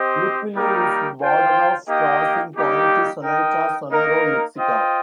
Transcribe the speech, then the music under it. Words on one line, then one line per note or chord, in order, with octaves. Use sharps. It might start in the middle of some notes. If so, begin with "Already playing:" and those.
Lukeville is a border crossing point to Sonoyta, Sonora, Mexico.
Already playing: C4 G4 C5 D#5
G3 A#3 D#4 G4 A#4
F4 C5 G5
A#3 D#4 G4 D#5 G5
G3 A#3 D#4 G4
D#4 A#4 D#5 G5
A#3 D#4 A#4
F4 C5 D#5 G5